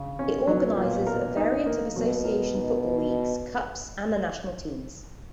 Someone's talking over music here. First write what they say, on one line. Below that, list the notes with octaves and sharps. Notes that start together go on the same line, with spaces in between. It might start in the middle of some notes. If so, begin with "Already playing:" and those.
It organizes a variant of association football leagues, cups, and the national teams.
Already playing: C#3
B2 C#4
F#3
A#2
A#4
D#4
A#3
B2 F#3
A#4
D#4